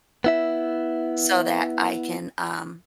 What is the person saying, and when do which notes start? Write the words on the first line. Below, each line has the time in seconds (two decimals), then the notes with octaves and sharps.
so that I can, um
0.24 B3 E4 E5